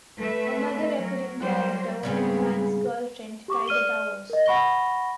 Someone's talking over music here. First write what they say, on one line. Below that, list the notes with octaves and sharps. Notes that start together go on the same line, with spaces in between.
Another recurring character was Nomad's girlfriend, Tiger Towers.
A3 B4 E5
F#3 A#4
F#3 G3 A#3 C5
G#2 C#3 G3 B3 C4 G#4
G4 C#6 D6
D5 F6 D#7 G7
A#4 D#5
F#5 B5 C#6 A#6 G7